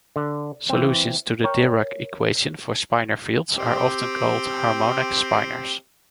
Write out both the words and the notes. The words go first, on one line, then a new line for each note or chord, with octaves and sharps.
Solutions to the Dirac equation for spinor fields are often called "harmonic spinors".
D3
E3 C4
A#4 C#5 G5
C4 G4